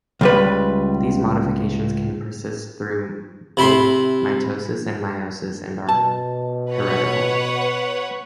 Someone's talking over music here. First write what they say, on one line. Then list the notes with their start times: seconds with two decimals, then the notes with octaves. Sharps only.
These modifications can persist through both mitosis and meiosis and are heritable.
0.21 C#2 G3 B4
3.57 C3 E4 B5 C6
5.89 B2 A5
6.70 B4 C#5 F#5